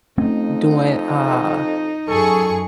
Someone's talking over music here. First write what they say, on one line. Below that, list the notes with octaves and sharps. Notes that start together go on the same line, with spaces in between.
doing, uh
F2 A3 C4 C#4 D#4
F#2 G#4 A4 C#6